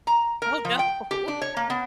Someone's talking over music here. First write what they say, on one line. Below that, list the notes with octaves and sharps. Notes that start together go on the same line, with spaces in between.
Oh, no.
A#5
A#4
F3
G5
G4
D4
C#5
A#3
B3